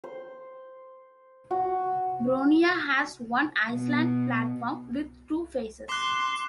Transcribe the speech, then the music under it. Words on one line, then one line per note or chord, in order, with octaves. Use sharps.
Boronia has one island platform with two faces.
C5
F#4
B2
C6 D6 F#6